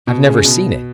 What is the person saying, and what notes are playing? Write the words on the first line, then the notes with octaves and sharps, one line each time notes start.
I've never seen it.
B2
C#3
B2